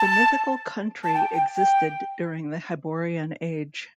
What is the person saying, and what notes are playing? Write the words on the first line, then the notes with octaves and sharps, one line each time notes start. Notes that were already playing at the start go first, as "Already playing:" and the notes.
The mythical country existed during the Hyborian Age.
Already playing: A5
A5
G5
G5
G5